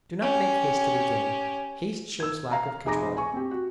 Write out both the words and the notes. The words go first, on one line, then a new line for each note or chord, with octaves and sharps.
Do not make haste to begin--haste shows lack of control.
C#4 G4
E6 G#6
F5 A#5
F1 G#4 A#5 D6 A#6
G#5 C#6
C4 G4
F#4